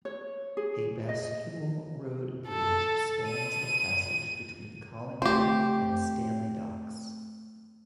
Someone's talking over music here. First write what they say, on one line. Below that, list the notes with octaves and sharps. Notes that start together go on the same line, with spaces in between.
A bascule road bridge spans the passage between Collingwood and Stanley Docks.
C#5
G#4
D#5
A4
D#7
A3 C4 G4 C5